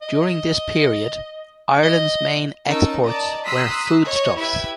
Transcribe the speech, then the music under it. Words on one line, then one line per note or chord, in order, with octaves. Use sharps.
During this period, Ireland's main exports were foodstuffs.
D#5
D#5
C#4 D#4 A#4 A5 E6
D5 D#5 A5 A#5
A#5 C6 D#6 E6 F#6 B6
C#5 D#5
E4 G4 B4 E5 G#6